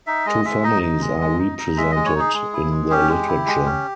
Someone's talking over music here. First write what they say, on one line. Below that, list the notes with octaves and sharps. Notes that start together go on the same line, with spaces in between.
Two families are represented in the literature.
D#4 E5
G#3 D#5
G#3 E5
D#4 D#5
D#4
G#3
G#3
D#4
D#4
G#3 E5
G#3 D#5
C#5
D#4 G#4
G#3
E4
G#3
C#4 G4
G#3
E4
G#3
C#4